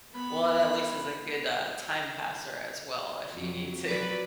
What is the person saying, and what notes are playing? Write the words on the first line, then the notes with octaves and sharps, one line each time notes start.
Well, at least is a good, uh, time passer as well if you need to.
B3 B5
F2 F#3
F#3 B4 D5